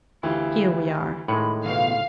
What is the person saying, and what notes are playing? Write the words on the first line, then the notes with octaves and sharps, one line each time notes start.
Here we are.
D2 E3 E4 F4 G4
A2 D#3 G#3 B5 C#7
C#2 B2 E3 B3 F5